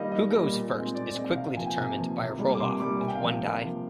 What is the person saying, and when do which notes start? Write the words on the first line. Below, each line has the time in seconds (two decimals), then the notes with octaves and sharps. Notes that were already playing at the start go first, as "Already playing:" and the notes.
Who goes first is quickly determined by a roll-off with one die.
Already playing: D#3 G3 A#3 D#5 F5
0.12 D#3 D#5
0.32 G3 A#3
0.52 A#2
0.74 G#3 C4
0.94 A#2 D5
1.14 G#3 C4 D#5
1.36 C3 F5
1.46 F5
1.56 F3 A#3 G#5
1.66 G5
1.76 C3 G#5
1.98 F3 A#3
2.18 C3
2.38 G3 A#3
2.55 D6
2.60 C3 C6
2.80 G3 A#3 D6
3.01 C3 G#5
3.08 G5
3.15 F5
3.21 F3 A#3 G5
3.42 C3
3.63 F3 A#3